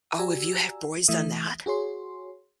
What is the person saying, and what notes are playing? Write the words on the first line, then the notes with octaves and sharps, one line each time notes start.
Oh, have you had boys done that?
F#4 G4 D5 G#5 A#5 E6
E3 A3 E5 D#6
F#4 G#4 C#5 C6